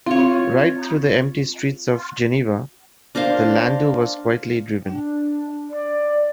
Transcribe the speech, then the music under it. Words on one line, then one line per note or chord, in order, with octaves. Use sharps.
Right through the empty streets of Geneva the landau was quietly driven.
C4 F4 C#5
D4 A#4 C5 F5
D4
D5